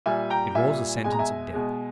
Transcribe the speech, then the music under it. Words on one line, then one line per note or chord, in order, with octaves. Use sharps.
It was a sentence of death.
A#2 G3 E5 G#5
G5 A#5
A#2 G3 E5 G#5
B2 G#3 G#5
A#5
E5 G#5
B2 G#3